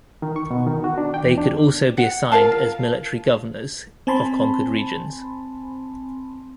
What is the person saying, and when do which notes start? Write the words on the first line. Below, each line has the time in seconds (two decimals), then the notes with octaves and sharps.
They could also be assigned as military governors of conquered regions.
0.22 D#3
0.36 C#6
0.51 B2
0.67 D#3
0.84 F#4
0.98 D4
1.14 G5
1.25 E2
1.38 D4
1.97 F#5
2.32 F4 A#4 F5 A5
4.07 C4 G#5 A5 B5 C6